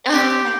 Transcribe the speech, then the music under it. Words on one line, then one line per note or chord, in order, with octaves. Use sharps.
Oh, yeah.
C4 G4